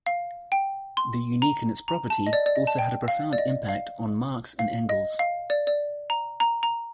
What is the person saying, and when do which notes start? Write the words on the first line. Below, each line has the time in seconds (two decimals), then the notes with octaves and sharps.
"The Unique And Its Property" also had a profound impact on Marx and Engels.
0.06 F5
0.52 G5
0.97 C6
1.42 A#5
1.88 A#5
2.10 A5
2.26 D#5
2.33 D5
2.46 D5
2.56 D#5
2.67 A5
2.79 G5
3.08 F5
3.33 D5
3.38 D#5
3.69 F5
4.59 F5
4.89 D#5
5.19 F5
5.50 D5
5.67 D5
6.10 A#5
6.40 A#5
6.63 A#5